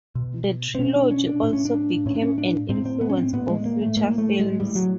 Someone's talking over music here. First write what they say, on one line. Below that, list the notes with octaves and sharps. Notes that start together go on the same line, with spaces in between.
The trilogy also became an influence for future films.
B2
C4
B2 C#4
D4
C#4
D4
A2 D4
C#4
D4
A2 C#4
D4
C#4
D4
A2 C4
C4
B3
C#4
C4
A2 B3
G#3
A#3
A3
A2 A#3
A3
G#3
A2 G3
F#3